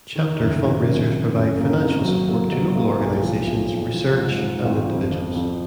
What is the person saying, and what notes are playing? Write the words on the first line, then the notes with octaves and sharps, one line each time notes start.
Chapter fundraisers provide financial support to local organizations, research, and individuals.
D#3
F#1
D#3
F#2
G#1
F#2
A#3
G#1
F#3
A#3
F#3
A#3
B1
F3
B1
B1
F3
G#2
G#2
G#1
F2
F2
F2